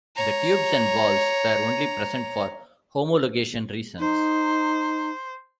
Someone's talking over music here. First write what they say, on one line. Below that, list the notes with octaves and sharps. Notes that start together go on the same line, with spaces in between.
The tubes and valves were only present for homologation reasons.
C#5 A#5
D#4 C5